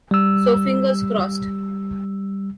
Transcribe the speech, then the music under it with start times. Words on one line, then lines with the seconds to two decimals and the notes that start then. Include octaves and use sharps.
So fingers crossed.
0.11 G3 E6